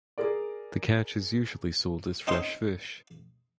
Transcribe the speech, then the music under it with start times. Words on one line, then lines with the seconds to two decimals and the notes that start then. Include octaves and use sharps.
The catch is usually sold as fresh fish.
0.18 G#4 A#4 D5
2.27 C4 C#4 D#4 D#5 G5 C6